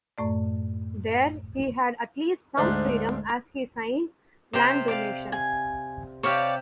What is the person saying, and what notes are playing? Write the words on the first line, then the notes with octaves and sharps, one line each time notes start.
There he had at least some freedom as he signed land donations.
F#2 A2 A3 D5
D2 G#2 D4 C6
C3 G4 C5
D5 F5
G#5
C3 G4 C#5 D5 F5